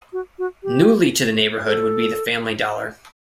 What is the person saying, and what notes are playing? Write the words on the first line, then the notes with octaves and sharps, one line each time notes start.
Newly to the neighborhood would be the Family Dollar.
F#4
F#4
G4
A4